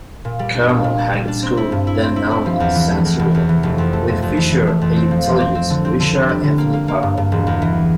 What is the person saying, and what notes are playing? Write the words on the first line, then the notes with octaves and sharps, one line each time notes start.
Carmel High School, then known as Saint Cyril, with future Egyptologist Richard Anthony Parker.
A#2
G3
D4
A#2
A#2
D4
G3
D4
C4
E4
G2
E4
C4
E4
E4
F3
E2
E3
A3
E2
F1
E2
E3
F1
F2
A3
F2
F2
E3
E3
A3
F2
C4
F3
F3
C4
C4
D3
C4
D3
D3
G3
D3
A#3
A#3
A#3
G2
G2
E1
E2
E3